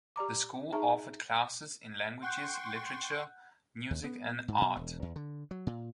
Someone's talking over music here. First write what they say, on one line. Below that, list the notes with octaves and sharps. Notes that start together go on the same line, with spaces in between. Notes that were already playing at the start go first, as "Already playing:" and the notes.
The school offered classes in languages, literature, music and art.
G4 D5 A#5 D6
D#4 G#4 E5 A5 A#5
F#5 G5 C6 C#6 F#6 G6
D#2
B3
G#2
B2
E1
E2
D3
F#3
A#2